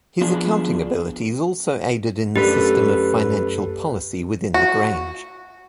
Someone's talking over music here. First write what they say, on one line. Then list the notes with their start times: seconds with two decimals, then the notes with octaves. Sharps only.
His accounting abilities also aided in the system of financial policy within the Grange.
0.21 F3 B3 D4 F4 G#4
2.36 F#2 A3 D4 G4 B4 B6
4.54 F#4